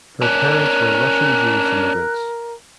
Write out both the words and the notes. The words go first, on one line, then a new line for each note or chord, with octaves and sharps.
Her parents were Russian Jewish immigrants.
C#4 D4 A#4 F#6